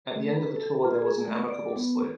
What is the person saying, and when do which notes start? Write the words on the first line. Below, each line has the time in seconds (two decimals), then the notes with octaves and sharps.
At the end of the tour, there was an amicable split.
0.16 A3
0.36 B4
0.56 A4
0.85 F4
1.02 G#4
1.28 A3
1.49 D5
1.76 B3